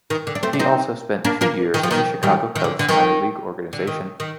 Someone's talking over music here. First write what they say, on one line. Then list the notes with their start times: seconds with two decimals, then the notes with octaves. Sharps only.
He also spent two years in the Chicago Cubs' minor league organization.
0.10 D#3
0.27 D3
0.35 D4
0.43 A3 C4
0.53 D4
0.59 C4 D#4
1.25 A#3 D4
1.41 A#3 D4
1.74 D#3
1.83 F3
1.91 D#3
2.23 D#3 G3
2.56 D#3
2.64 D3
2.79 D3
2.89 D#3
3.73 D3
3.87 D#3
4.20 D#3